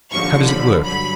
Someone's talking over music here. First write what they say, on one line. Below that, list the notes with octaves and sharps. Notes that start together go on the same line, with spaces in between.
"How does it work?"
D#2 D3 F3 C#6
B5
G2 D3 F#3 B5